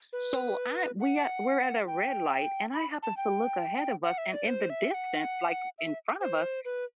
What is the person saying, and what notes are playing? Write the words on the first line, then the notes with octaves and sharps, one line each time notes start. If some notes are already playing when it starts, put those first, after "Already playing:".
So I we are we're at a red light and I happened to look ahead of us, and in the distance, like, in front of us,
B4
F#5
G5
B5
A5
G5
F#5
E5
D5
C5
E5
G5
F#5
E5
C5
B4